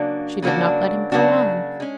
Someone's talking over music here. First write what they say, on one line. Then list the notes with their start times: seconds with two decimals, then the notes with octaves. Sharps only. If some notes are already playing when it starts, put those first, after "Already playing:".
She did not let him go on.
Already playing: C#3 F#3 A#3 D4 F#4
0.42 C#3 F#3 A#3 D4 F#4
1.12 C#3 F#3 A#3 D4 F#4
1.80 G#3 C#4